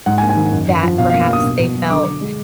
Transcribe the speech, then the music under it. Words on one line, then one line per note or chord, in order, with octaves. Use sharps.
that perhaps they felt
G#2 F#5
G#5
A#3
G#5
D#3
F#2
F#2
F3
B2 F5
F5
A#3
F5
A#3 D#6
B2
B2
F#3
D3 D6
D3
G#3